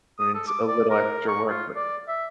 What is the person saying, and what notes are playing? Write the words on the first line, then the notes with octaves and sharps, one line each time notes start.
I mean, it's a little extra work, but
D#6
A4
D6
D5
A#4
C#6
F4
D5
E5